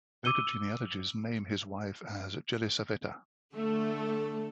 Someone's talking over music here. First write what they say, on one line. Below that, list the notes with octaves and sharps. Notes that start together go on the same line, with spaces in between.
Later genealogies name his wife as "Jelisaveta".
D6 E6 D#7 G7
D3 A3 A4